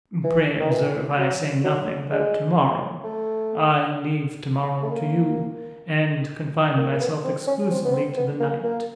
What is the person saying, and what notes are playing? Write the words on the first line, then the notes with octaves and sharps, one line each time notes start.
Pray observe, I say nothing about to-morrow--I leave to-morrow to you, and confine myself exclusively to the night.
E3
D#3
E3
F#3
F#3
G#3
A3
A3
A#3
A#3
A#3
B3
C4
C#4
C4
B3
C4
B3
A#3
A#3